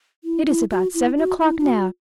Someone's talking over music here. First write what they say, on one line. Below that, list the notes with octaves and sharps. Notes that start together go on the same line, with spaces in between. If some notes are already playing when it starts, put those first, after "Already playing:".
It is about seven o'clock now.
E4
E4
F#4
E4
F#4
E4
E4
F#4